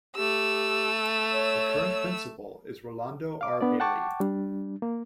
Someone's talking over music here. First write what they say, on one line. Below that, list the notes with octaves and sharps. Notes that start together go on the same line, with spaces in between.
The current principal is Rolando R. Bailey.
A3 G4 E6
C#5
F5 D6
B3 D4 D5
F#5 G5 A5 C#6 D6
G3 D4
A#3